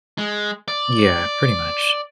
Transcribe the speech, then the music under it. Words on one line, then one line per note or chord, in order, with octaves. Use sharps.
Yeah, pretty much.
G#3
D5